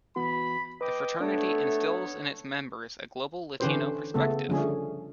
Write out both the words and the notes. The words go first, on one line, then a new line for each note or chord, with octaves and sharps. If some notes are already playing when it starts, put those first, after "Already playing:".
The fraternity instills in its members a global Latino perspective.
E3 B3 F#4 B5
B4 D#5 G5 D6
A3 B3 D4 A4 C#5
D3 E3 C#4 G4 B4 C5
C#3 A3 B3 A4
D3 F3 G3 A3 C#4 G#4